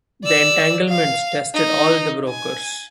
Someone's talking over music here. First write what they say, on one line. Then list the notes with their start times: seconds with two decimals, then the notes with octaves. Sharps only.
The entanglements tested all the brokers.
0.24 D5 E6
0.89 F5
1.54 D#4
2.29 G#5